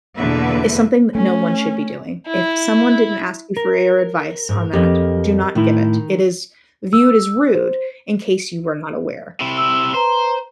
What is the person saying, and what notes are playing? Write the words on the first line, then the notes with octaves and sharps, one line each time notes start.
is something no one should be doing. If someone didn't ask you for your advice on that, do not give it. It is viewed as rude in case you were not aware."
E2 B2 D3 A#3 B4 E5
A3 C#4
E4
A#4
G#2
F2 G4 A#4 D#5
A2 D#3 E4
E6
C5
C3 E4
E6
B4 C5 A#5